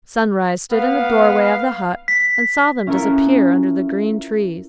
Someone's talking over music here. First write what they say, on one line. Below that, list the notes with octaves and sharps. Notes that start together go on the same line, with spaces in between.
Sunrise stood in the doorway of the hut, and saw them disappear under the green trees.
B3 F5
B6
C#4 E4 F4 A4 A#4 C#5